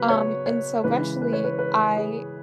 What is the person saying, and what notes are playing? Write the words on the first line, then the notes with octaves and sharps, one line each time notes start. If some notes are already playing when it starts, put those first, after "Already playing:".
Um, and so eventually, I
Already playing: C#3 F#3 B3 B4
C#5
C#5
C#3 E3 G#3 B4
B4
C#5
B4
B4
G#4